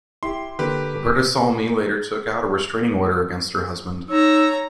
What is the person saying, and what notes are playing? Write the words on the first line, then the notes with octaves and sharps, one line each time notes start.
Roberta Salmi later took out a restraining order against her husband.
E4 G4 C6
D3 A#3 G4 B4
D#4 C#5 A#5 E6